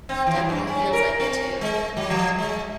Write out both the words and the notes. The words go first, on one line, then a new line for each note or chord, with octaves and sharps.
Definitely feels like it too.
C4
E3
F#2
C#4
A#4
C4
G#3
F#3
F3
G#3